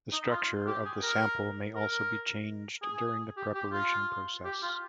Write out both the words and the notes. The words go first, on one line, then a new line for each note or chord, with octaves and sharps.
The structure of the sample may also be changed during the preparation process.
D#4
F4
G4
G#4
A#4
A#4
G#4
G4
G4
F4
G4
F4